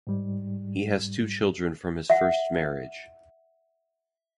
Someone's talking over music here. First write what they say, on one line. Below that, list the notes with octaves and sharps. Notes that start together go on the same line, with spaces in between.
He has two children from his first marriage.
G#2 G3
E5 F#5